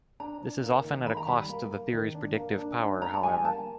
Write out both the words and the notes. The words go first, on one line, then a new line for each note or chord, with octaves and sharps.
This is often at a cost to the theory's predictive power, however.
D4 A#5
D4
A#3
D#3
D#3 B5
A#5
G3 B5
A#3
A#3
D#3
D4
A#3
D4
D4
D4 A#5
A5
G3 G#5
A#3 A5